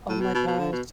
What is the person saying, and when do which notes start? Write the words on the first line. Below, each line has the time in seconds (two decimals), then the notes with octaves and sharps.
Oh my gosh.
0.09 A2
0.21 B2
0.34 B2
0.47 B2
0.59 D3
0.72 B2